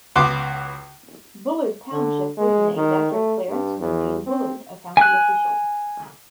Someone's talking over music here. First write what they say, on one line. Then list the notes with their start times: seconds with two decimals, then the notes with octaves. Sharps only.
Bullard Township was named after Clarence Eugene Bullard, a county official.
0.16 C#2 B3 F#4 C6 D6
1.92 D3
2.37 G#3
2.76 D#3
3.12 A3
3.49 G2
3.80 E2
4.26 C4
4.97 G#5 F#6